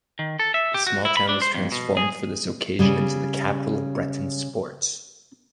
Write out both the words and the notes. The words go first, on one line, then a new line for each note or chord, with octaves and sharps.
The small town was transformed for this occasion into the capital of Breton Sports.
D#3
A4
E5
G4
F#4
E4
B5
D4
C5
F2
B2
G#4
C#3 G3